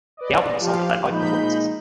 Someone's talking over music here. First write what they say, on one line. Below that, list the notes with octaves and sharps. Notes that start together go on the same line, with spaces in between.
The album was sold at their live performances.
B4 D5 D#5
F3 G4 F5
A#2 F3 G#3 D#4 B5 G6